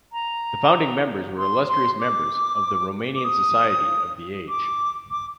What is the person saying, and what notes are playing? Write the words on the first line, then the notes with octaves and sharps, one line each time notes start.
The founding members were illustrious members of the Romanian society of the age.
A#5
C6
C6
D6
D6
D#6
D6
D6